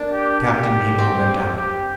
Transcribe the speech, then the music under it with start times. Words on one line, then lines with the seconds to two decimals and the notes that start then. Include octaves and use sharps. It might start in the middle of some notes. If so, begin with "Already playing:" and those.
Captain Nemo went out.
Already playing: A#3 D4
0.12 G4
0.41 G4
0.98 C4
1.57 G4